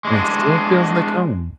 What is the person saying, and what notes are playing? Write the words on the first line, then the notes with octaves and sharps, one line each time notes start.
And it still feels like home.
G#3 D4